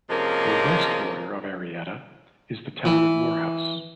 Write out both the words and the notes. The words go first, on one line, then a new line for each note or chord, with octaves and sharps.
The west border of Arietta is the Town of Morehouse.
C3 F3 G#3 A#3 C#4 A#4
E3